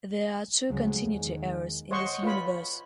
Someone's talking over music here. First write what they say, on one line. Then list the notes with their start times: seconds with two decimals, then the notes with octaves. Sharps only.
There are two continuity errors in this universe.
0.69 D2 C#3 F3 F#3 G#3
1.00 E2 D#3 G#3
1.91 C5 C#5 D#5 F#5 C6 C#6
2.23 F4 B4 C#5 B5